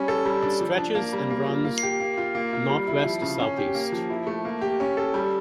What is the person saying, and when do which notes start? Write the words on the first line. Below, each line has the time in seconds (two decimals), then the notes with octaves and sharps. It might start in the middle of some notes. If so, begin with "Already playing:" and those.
It stretches and runs northwest to southeast.
Already playing: G3 C#4
0.08 A4
0.25 G3
0.42 D4
0.61 F3
0.78 D4
0.95 A#3
1.13 G3
1.30 A#3
1.48 F4
1.65 A#3
1.83 G4
2.00 A#3
2.18 F4
2.35 A#3
2.53 F4
2.70 G3
2.87 E4
3.04 F3
3.22 C#3
3.40 C#4
3.58 G4
3.75 A#3
3.92 F3
4.10 E4
4.27 A3
4.45 A#3
4.61 G4
4.80 C#4
4.97 A4
5.14 G3